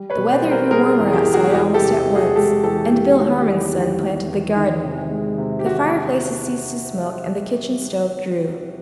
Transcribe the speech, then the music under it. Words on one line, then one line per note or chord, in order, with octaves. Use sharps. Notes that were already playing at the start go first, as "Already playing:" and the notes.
The weather grew warmer outside almost at once, and Bill Harmon's son planted the garden. The fireplaces ceased to smoke and the kitchen stove drew.
Already playing: G3
B4 C#5
B2
C5 D5
G3
A#4 C5
G3 G#4 A#4
E2
G#4
G4
E2
F#4 G#4
G4
E2 F#4 G#4
G4 A4
C3
C3
F#4 G#4
G#3 G4 A4
E2 G4 A4
G#3 G4
D#3 F#4
G4
E2
G4
E2
F#4
E2
E2
D#3
C3
G#3
C3
G4
F#4